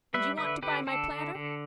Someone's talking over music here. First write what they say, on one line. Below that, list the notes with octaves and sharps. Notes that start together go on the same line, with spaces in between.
And you want to buy my platter.
G3 B4 E5
D3 B4 E5
D3 G4 B4
D3 A4
D3
D3